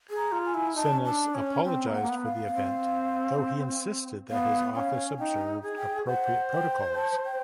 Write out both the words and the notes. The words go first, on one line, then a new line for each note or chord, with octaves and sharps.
Sinas apologized for the event though he insisted that his office observed appropriate protocols.
G#4
A#5
F4
G#5
E4
D#4 A5
C#4
D4 A5
C#4
C4 G5
A#3
F#5
A#3
B3
F5
B3
C4
B3 F5
C#4 F5
D#4 G5
G#4
G5
C5 F#5
G5
A5
G5